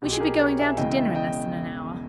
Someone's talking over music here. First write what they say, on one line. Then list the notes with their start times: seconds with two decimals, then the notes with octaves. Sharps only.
"We shall be going down to dinner in less than an hour."
0.02 B1 B2 G4
0.12 G#4
0.20 G4 A#4
0.39 A#4 C#5
0.59 E5 G#5
0.77 E1 E2 C#3 E3 D#5 G5
0.92 E5
0.96 D#5 G5
1.15 D#5 G5